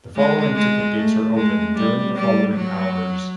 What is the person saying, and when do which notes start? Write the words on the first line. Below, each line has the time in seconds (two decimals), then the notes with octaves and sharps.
The following ticket gates are open during the following hours.
0.16 G#3
0.56 G#3
0.95 A3
1.35 G#3
1.75 G3
2.16 G3
2.55 F#3